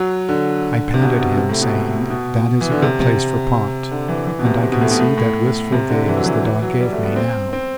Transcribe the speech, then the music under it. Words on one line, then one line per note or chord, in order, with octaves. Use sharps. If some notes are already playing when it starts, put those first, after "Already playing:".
I patted him saying that is a good place for Pont, and I can see that wistful gaze the dog gave me, now.
Already playing: F#3
D3
C3
B2
B2
C3
A2
B2
B2
E3
D3
C3
C3
D3
E3
E3
B2
C3
C3
B2
A2
B2
A2
A2
C3
D3
E3
F#3
E3
E3
F#3
G3
A3
B3
C4
C4